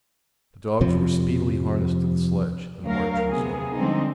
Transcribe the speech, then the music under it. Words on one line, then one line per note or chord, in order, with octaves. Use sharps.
The dogs were speedily harnessed to the sledge, and the march resumed.
F2 C3 F3
D2 F#3 A#4 F5
C3 B3 G#4
D3 F3 G3 G#3 C4 D#4